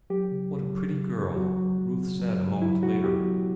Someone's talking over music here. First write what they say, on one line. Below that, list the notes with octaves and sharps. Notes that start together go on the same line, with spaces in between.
"What a pretty girl!" Ruth said a moment later.
F#3 G4
C#3
C#3
F#3
C#3
C#3
F#3 F#4
F#3
F#3
C#3
F#3
C#3
F#3 E4
B2 F#4
B2 G4
F#3